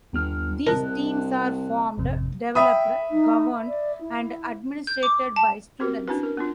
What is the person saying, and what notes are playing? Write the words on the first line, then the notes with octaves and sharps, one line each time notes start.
These teams are formed, developed, governed, and administrated by students.
G1 D#2 B3 F6
C2 A#4 D#5 A5 F#6
G#1 F2 C3
E5 G5 B5 D#6
D#4
D5
E4
G6
D6
A5
C4 F#4 G4 A#4
C#4 D4 E4 F#4 B4
A#4
B3 D4 F4